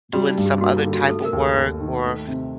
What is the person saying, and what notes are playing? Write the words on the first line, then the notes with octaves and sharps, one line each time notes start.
doing some other type of work or,
G3 F#4
D#4
G2
G4
A#3 F#4
D#4
D3
F#4
A3 A4
A#4
D#2
A4
D#2
D#3
A3
C3